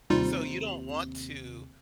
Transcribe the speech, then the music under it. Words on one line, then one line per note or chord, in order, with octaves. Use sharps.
so, you don't want to,
D#2 C3 G3 D#4 F4